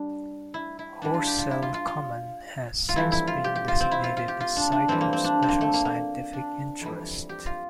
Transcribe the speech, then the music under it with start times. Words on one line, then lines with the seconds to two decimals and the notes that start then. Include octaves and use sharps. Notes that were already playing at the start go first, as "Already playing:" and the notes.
Horsell Common has since been designated a Site of Special Scientific Interest.
Already playing: G3 D4
0.54 E4
0.79 E4
1.02 E2 E3 G3 D4
1.14 F4
1.27 G4
1.38 F4
1.51 E4
1.62 F4
1.74 F4
1.87 F4
2.89 F4
2.96 F2 E3 G3 E4
3.12 E4
3.27 F4
3.44 G4
3.55 G4
3.68 F4
3.80 C4
3.91 E4
4.04 F4
4.17 F4
4.28 G4
4.40 F4
4.56 D4
4.72 D4
4.88 F2 E3 G3 C4
5.01 A#3
5.13 C4
5.24 D4
5.42 C4
5.49 A#3
5.61 A3
5.74 A#3
5.85 A#3
6.33 D4
6.81 F2 E3 G3
7.29 G4
7.46 F4